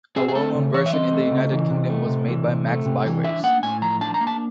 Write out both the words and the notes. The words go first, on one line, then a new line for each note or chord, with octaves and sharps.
A well-known version in the United Kingdom was made by Max Bygraves.
C4 G#4
G#4
A3 A4
C#3
E3 C#5
E5
C4 D#5
A3
C#3
E3
C3
A3
C3
E3
C3
A3
C3
E3
D4 E5
A#3 F#5
A2 G#5
F3 A#5
D4 A5
A#5
A#3
A5